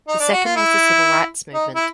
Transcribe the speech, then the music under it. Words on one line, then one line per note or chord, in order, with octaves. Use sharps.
The second was the civil rights movement.
D#4
D4
F#4
F4
E4
D#4
E4